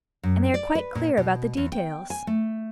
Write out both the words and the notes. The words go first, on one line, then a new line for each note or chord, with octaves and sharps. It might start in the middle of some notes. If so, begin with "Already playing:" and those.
And they are quite clear about the details.
F#2
D5
B4
A#2
B2
E2
G5
G#5
A3